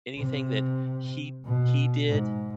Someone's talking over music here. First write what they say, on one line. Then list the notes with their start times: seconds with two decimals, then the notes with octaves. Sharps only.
Anything that he he did,
0.19 C3
1.45 B2
2.09 G#2